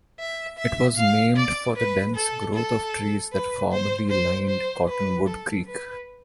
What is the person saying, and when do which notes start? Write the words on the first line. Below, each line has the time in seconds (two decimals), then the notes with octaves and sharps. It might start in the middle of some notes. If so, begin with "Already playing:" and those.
It was named for the dense growth of trees that formerly lined Cottonwood Creek.
0.19 E5
0.58 E5
0.97 F5
1.37 D5
1.76 B4
2.16 A4
2.55 A4
3.32 B4
3.71 C5
4.10 C5
4.49 C5
4.88 B4
5.27 A4
5.66 B4